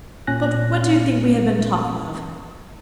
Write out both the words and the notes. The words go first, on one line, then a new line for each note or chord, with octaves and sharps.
But what do you think we have been talking of?
A#2 C#4 G#5 F#6 A#6